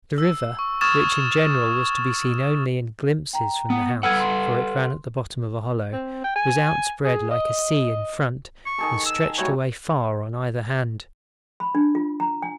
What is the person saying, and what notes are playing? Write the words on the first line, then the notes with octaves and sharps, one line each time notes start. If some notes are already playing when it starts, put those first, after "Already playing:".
The river, which in general was to be seen only in glimpses from the house--for it ran at the bottom of a hollow--was outspread like a sea in front, and stretched away far on either hand.
E6
C#6
C#6 D#6 F6 G#6 A6 E7
G5 A#5
B3
A4 B4 F#5 E6 F6 G#6
C6
C4
G5
G#5
G#4
D#5
C#6
D#3 G#4 A4
E6
F#3 G3 A3 C#5
B5
D4
F4
A#5
G#5